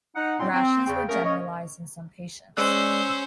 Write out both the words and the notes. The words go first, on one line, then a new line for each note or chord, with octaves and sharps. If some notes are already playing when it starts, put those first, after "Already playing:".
Rashes were generalized in some patients.
D#4 F#5
A#2 F#3 C4 C#4 G5 C6
C4
E2 C#3 G5
A3 A#3 C#4 G#4 A#4
C#4 C#5 D#5
G#3 C#4 C5 D5 E6 F#6